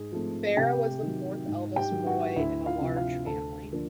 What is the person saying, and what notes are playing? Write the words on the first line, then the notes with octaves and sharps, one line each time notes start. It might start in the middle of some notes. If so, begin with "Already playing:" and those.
Farah was the fourth eldest boy in a large family.
Already playing: G#2 G#4
F3 A3 C4
C3 G4 G5
D#3
F#3
G#2
G4 G5
D#3 F#3
F#4 F#5
D2 E4 E5
F4 F5
C3 F3
F4 F5
D2 A4 A5
D3 F3 A#3 D4